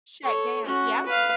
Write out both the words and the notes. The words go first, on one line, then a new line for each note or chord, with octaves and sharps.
shut down Yep.
A4 C#5
C#4 F#4
B4 F5